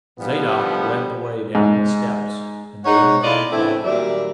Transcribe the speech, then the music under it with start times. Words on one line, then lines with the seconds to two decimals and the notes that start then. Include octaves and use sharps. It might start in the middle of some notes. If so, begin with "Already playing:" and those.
Zadok led the way down the steps and the young man followed.
0.19 D3 F3 G3 B3
1.55 G#2
2.85 G#2 G#3 D#4 C#5 F#5
3.23 A3 E4 F4 D5 D#5
3.52 C#3 E3 A3 C4 D4 E4
3.84 D#2 A#2 F#3 G3 D5 E5